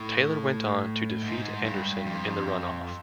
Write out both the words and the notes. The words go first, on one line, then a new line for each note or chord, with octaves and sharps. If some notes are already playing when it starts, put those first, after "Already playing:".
Taylor went on to defeat Anderson in the runoff.
Already playing: A2
G#2
G2
F2